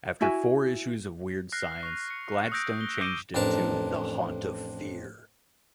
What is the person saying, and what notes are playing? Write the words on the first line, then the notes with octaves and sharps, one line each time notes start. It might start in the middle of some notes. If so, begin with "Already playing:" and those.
After four issues of "Weird Science", Gladstone changed it to "The Haunt of Fear".
E4 F#4 E5 G#5
F6 F#6 A#6 C7
C#6 F7
C#7
D#6 E6 F#6 G6 A#6 D7
G7
D6 F#6 G6 D7 D#7 G7
A1 F2 D4 A#4 A5